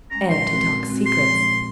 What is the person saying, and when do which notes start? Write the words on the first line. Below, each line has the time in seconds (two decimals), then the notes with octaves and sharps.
"And to talk secrets."
0.11 G#3 C#4 A#5
0.30 A#2 C6
0.49 G#3 C4 F#4
0.68 A#2
0.87 G#3 C4 F#4
1.06 A#2 C6
1.25 F3
1.30 G#3
1.44 A#2